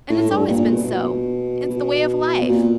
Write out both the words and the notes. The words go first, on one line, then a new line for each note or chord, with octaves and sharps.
And it's always been so--it's the way of life.
A2
G2
A#2
B2
B2
B2
A#2